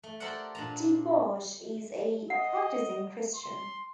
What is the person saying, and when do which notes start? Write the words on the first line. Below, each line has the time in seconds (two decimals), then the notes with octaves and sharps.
DeBarge is a practicing Christian.
0.03 A3
0.20 G4 A4 A#4 C5 D5 F#5
0.55 A#2 D4 A#5
2.30 D#5 F#5
3.35 C6